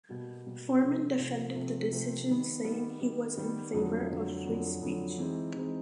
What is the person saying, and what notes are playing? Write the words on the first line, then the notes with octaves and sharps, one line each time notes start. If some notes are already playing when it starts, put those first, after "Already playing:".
Forman defended the decision saying he was in favour of free speech.
B2 G3 A#3
B2 G3 A#3
C3 F3 A3 C4
C3 F3 A3 C4
C3 F3 A3 C4
C3 F3 A3 C4
D#3 G3 B3
D#3 G3 B3
D#3 G3 B3
D#3 G3 B3
F2 D3 F#3
F2 D3 F#3
F2 D3 F#3
F2 D3 F#3
E3 G#3 C4 D#4
E3 G#3 C4 D#4